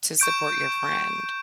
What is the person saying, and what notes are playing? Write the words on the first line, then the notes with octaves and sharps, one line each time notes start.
to support your friend.
C#6 G6 D7